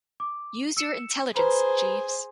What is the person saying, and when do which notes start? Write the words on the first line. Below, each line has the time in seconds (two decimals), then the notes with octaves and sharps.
Use your intelligence, Jeeves.
0.20 D6
0.77 E6 C#7 E7
1.35 G#4 B4 C5 A#5 B5